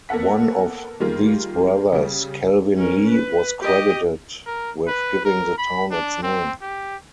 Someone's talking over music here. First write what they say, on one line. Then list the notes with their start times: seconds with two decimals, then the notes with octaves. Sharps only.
One of these brothers, Calvin Lee, was credited with giving the town its name.
0.09 A#3 B3 A4 F#5 B6
1.00 D#3 G3 A#3 F4 G#4 A#4
1.92 C#3 G3
2.76 C#4 A#4
3.11 B4
3.60 G4 D#5
4.46 A#4
4.87 B4
5.25 A#4
5.58 B5
5.91 D4
6.23 C4
6.61 G4